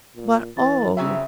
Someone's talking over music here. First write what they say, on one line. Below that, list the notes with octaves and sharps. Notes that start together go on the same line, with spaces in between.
But oh!
A#2
E3 A6
G1 C#3 F#3 C4 E5 A#5